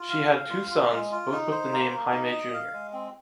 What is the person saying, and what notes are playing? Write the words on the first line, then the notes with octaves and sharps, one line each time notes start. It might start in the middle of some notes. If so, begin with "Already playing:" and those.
She had two sons, both with the name Jaime Jr.
Already playing: F4
F5
F5
F4
F4
G#3
F4
D#4
C5
A#3
A#3
D#4
D#5
F5
G#3
C4